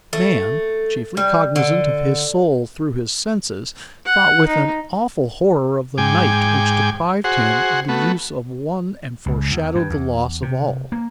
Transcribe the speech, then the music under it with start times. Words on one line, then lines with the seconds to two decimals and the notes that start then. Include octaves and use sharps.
Man, chiefly cognizant of his soul through his senses, thought with an awful horror of the night which deprived him of the use of one and foreshadowed the loss of all.
0.13 A3
1.17 G3
1.56 D3
4.05 F#5
4.47 D#4
5.98 G#2 G5 G#5 D6
7.24 F#4 G#4 C5 F#5
7.89 A3 B3 F#4
9.26 C#2
9.51 E2
9.75 G2
9.90 E2
10.42 C3
10.92 A#3